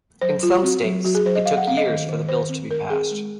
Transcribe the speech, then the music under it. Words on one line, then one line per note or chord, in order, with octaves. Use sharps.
In some states, it took years for the bills to be passed.
F#3 C5
F#3 F4
C4 F#4
F#3
F#3 F#4
G#4
F#3 C5
D#5
F#3 F5
F#5
C4 F5
D#5
D#3
D#3
D#3 C5
C4
D#3 A#4
C4 G#4
G#3